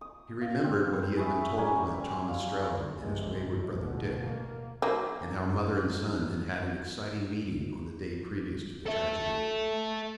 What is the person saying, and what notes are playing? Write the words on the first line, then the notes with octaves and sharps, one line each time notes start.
He remembered what he had been told about Tom Ostrello and his wayward brother Dick, and how mother and son had had an exciting meeting on the day previous to the tragedy.
D#6
F5
C4
G#4 B4 C#5 E5
G3 C#4 A#4 G#5
F5
A#1 G2 C3 G#3
G#1 A2
A1 D2 B2
A#3
D#3 F#3 A#3
A4 E5